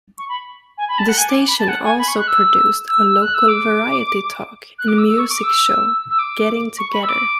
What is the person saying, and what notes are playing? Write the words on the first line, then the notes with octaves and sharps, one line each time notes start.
The station also produced a local variety talk and music show, "Getting Together".
C#6
B5
G#5
B5
A5
F#5
G#5
D6
B5
A5
F#5
G#5
B5
C#6
F#6
E6
E6
F#6
E6
D6
F#6
D6
E6
C#6
D6
E6
E6
D6
C#6
B5
E6
D6